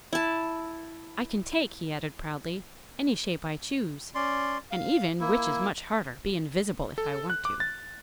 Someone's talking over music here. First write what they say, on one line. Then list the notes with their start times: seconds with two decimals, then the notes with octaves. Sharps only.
I can take,' he added proudly, 'any shape I choose, and even, which is much harder, be invisible if I want to.'
0.13 E4 A5
4.15 C#4 D5 C6
4.71 F5
5.20 A#3 E4
6.98 A4
7.30 F#6
7.45 D6
7.60 A6